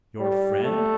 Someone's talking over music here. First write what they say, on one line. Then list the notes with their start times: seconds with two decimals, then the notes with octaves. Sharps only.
"Your friend?"
0.20 G3
0.63 A3